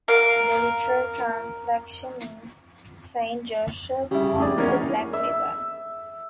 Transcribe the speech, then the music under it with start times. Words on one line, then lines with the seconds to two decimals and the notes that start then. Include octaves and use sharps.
The literal translation is "Saint Joseph of the Black River".
0.08 A#4 F5
4.11 C#3 G3 E4
4.38 F1 G4 G#4 D5
4.56 E1 E2 A#3 C#4
5.13 E5